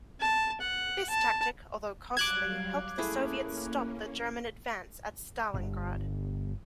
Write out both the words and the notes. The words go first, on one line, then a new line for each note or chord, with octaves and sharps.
This tactic, although costly, helped the Soviets stop the German advance at Stalingrad.
A5
F#5
A5
F#3 G3 F5 A5 D6 F#6 G#6
A3 A#3 C#4 E4 G#4
G1